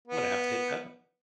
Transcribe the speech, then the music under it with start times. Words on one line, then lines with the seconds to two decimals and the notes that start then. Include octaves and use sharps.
I'm gonna have to hit that up.
0.07 B3